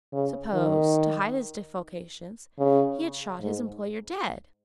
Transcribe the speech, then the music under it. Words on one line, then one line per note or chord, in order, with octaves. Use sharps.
Suppose, to hide his defalcations, he had shot his employer dead?
C#3
D#3
C#3
G#2